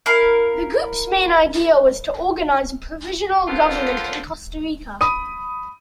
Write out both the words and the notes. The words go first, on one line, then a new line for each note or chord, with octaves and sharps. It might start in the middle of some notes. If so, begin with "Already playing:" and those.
The group's main idea was to organize a provisional government in Costa Rica.
E4 A#4 F5
D3 B3 C4 F4 A#4 C5
B5 D#6 D#7